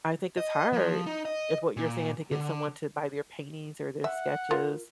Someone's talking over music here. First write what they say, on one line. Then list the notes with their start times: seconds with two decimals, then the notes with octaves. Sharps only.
I think it's hard if what you're saying to get someone to buy their paintings or their sketches.
0.37 D#5
0.73 F3
1.06 D#4
1.25 D#5
1.77 A#2
2.31 D3
4.04 E5 F#5
4.51 F4 A#4